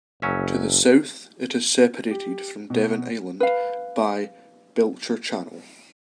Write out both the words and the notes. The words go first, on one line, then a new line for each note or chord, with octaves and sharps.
To the south, it is separated from Devon Island by Belcher Channel.
F#1 F#3 C#4 E5
G4
B2
B4 F5